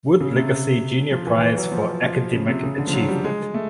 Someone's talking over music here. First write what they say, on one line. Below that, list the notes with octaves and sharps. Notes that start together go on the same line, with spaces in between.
Wood Legacy Junior Prize for academic achievement.
C#3
C3
F3
E3
E3
F#3
F3
F3
C#3
C3
C#3
D3
F3
F#3
G3
G#3
A3